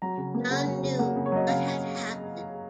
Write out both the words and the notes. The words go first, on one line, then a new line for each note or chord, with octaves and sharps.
None knew what had happened.
F#3 A#5
C#3
A#3
C#3 F#5
F#3
C#3
A#3 F#5
C#3
C#5
F#3 D#5
C#3 F5